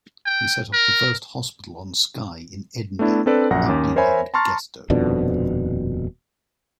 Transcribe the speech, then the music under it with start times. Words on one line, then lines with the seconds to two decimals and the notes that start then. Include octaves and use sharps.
He set up the first hospital on Skye in Edinbane, aptly named Gesto.
0.25 G5
0.73 A#4
2.99 A3 B3 D4 E4
3.26 C4 D4 A4 B4 D5
3.50 A#1 F#2 F#5 A#6
3.66 D#2 C#4 D6
3.96 A#4 C5 C#5 E5 G#5 B5
4.34 A5 A#5 C6 C#6 F6 A6
4.90 D#1 F2 B2 D4